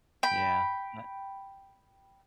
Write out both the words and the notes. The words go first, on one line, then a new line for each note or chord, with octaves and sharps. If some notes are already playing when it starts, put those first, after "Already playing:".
Yeah I
G5 B5